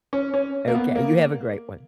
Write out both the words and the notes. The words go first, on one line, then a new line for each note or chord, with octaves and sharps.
okay, you have a great one.
C#4
C#4
A#3
B3
A#3